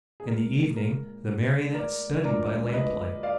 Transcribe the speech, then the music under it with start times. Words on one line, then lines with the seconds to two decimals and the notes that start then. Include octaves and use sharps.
In the evening the Marionette studied by lamplight.
0.20 G#4
0.27 A#2 G#3 A#4
0.76 A#4
1.75 A#4 D5
2.24 D2 D3 F3 G#3 A#4 D5
2.74 B4 D#5
3.23 D5 F5